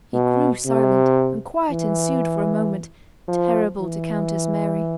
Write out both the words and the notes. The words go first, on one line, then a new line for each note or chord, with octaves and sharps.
He grew silent, and quiet ensued for a moment, terrible to Countess Mary.
B2
C3
E3
F3
E3